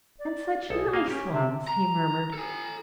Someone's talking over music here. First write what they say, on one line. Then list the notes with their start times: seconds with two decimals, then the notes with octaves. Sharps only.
"And such nice ones," he murmured.
0.19 D5
0.70 B1 G#4 A4
0.93 A#3 D#5 F5
1.10 C#4 G4
1.33 C3 A5
1.68 A#5
2.34 A4 G#5